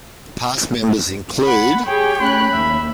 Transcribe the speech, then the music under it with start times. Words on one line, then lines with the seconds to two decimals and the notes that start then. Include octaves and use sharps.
Past members include...
1.43 F#5 B5
1.86 G4 G#4 C#5 G5
2.21 A3 C#4 B5 F#6
2.53 D#2 E5